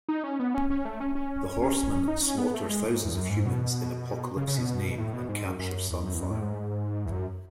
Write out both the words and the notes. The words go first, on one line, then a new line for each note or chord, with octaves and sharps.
The Horseman slaughter thousands of humans in Apocalypse's name and capture Sunfire.
D#4
C#4
B3
C#4
C#4
A3
C#4
C#4
C#4
C#4
C#4
D#4
C#4
B3
A3
G#3
A2
G#2
E2
F#2
G#2
B2
C#3
C#3
B2
A2
B2
G#2
F#2
F#2
E2
F#2
E2
F#2
A2
G#2
E2
F#2